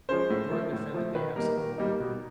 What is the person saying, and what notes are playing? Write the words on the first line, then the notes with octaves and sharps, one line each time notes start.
Dora defended the absent boy.
F3 G#3 C#4 C5
A2
F3 A3
A2
F3 A3
D#3 B4
G3 A#3 D#4 A#4
D#3
G3 A#3 D#4
B2